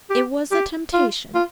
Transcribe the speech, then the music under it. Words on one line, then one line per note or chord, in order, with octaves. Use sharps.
It was a temptation.
G4
G4
F4
F4